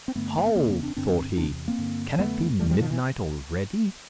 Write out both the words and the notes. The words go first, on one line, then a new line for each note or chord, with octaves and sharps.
"Hold," thought he; "can it be midnight already?"
C4
G2 D3 A3 B3
A#3
B3
E2 C#3 A#3 C4
A#3 C4
C4 D4
G2 D3 C4 D4
E2 C3 C4 D4
A#3 C4
G2 D3
F2 D3 A3 B3
F#2 C#3 G3 A3
F3 G3
D#3 F3
E3